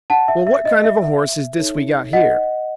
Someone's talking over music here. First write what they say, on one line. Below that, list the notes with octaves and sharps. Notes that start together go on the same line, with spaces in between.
Well, what kind of a horse is this we got here?
F#5 A5
E5
E5
D#5
E5
E5
D#4 A4 C#5
D#5 F#5